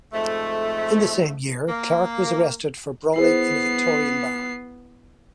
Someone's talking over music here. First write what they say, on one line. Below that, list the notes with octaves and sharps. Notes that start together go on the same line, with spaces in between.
In the same year, Clark was arrested for brawling in a Victorian bar.
F2 G#2 A3
A#3
B3 E4 G#4 C5 C7